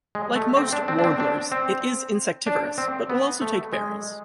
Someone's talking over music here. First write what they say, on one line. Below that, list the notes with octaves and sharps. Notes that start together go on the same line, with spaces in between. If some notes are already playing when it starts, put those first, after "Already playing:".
Like most "warblers", it is insectivorous, but will also take berries.
G#3
A3
C4
D4
C4
D4
C4
D4
C4
D4
C4
B3
A3
G#3